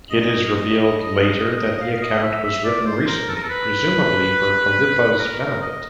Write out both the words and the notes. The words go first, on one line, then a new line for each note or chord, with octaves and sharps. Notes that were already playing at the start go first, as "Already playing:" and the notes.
It is revealed later that the account was written recently, presumably for Phillipa's benefit.
D#5
F5
D#5
E5
E5
D5
C5
A#4
A4
A#4
A4
B4
A#4
A#4
D#5